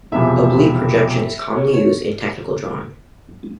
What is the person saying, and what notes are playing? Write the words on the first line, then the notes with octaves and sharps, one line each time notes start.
Oblique projection is commonly used in technical drawing.
E1 E2 C3 F3 E5
C#5
C#5